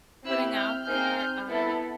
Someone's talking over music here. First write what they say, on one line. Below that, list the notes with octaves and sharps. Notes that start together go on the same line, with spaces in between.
putting out there, um,
C4 E4 G4 E6 F#6
F6 G6
C4 D#4 G#4 F6 G6
B3 E4 A4